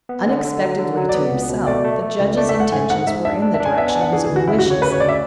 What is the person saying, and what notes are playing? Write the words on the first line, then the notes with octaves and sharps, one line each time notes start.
Unexpectedly to himself, the judge's intentions were in the direction of his own wishes.
B3
D3
D3
F#3
D3
F#3
D5
B3
C#2
B2
A3 D5
A3
A3
C#2
A3 D5
E5
A3
F#5
G#2 G#5
G#2 F#5
G#2 E5
D4 E5
D4
E5
D4
G#5
B3 E5
G#5
D4
F#5
E3 G#4
G#4
D2
F#4
C#3 E4
F#4
D2
C#5
C#3 B4
C#5
D2 D5
E5